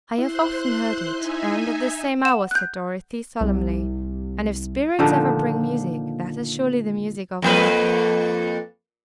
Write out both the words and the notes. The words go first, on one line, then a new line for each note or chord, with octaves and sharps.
'I have often heard it, and at this same hour,' said Dorothee, solemnly, 'and, if spirits ever bring music--that is surely the music of one!'
E4 C5 C6 F#6
D#4 E5 G#5
F#5 E7
F#6 G6
C2
A#2 D3 D#3 F3
F2 A#3 B4